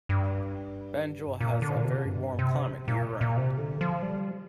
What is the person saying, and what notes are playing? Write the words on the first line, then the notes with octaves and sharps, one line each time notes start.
Banjul has a very warm climate year round.
G2
A#2
D3
A#2
C3
G2
C3
A#2
A#2
C3
D3
F3
G3